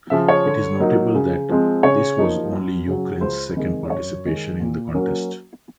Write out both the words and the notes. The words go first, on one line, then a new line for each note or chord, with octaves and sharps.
It is notable that this was only Ukraine's second participation in the contest.
C#3 F3 E5
C#5
D3
F#3 A#3 D#4
C#3
F3 G#3 C4
C#3 C#5
F3 A#3 D#4
F#2
C#3 F#3
C#2 C5
C3 D#3 G#3
F#2 C#5
D#3 G#3
A#2
F#3 A#3 C#4